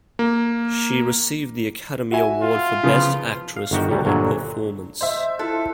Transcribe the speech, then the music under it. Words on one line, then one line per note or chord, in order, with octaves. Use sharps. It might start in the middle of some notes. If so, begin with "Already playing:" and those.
She received the Academy Award for Best Actress for her performance.
A#3
F#4 E5 G#5
F4
C#3 F3 B3
F5
G1 D#3 F#4 G4
D2 E3 F#3 G3
G1 D2 A#2 D3 F#3
C5 D#5 E5
E4 F4 A4 F#6